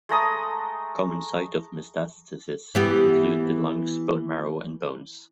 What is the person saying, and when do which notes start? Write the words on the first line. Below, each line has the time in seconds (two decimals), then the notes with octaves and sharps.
Common site of metastasis include the lungs, bone marrow, and bones.
0.09 G#3 A3 A#5 D#6
2.75 E3 B3 G4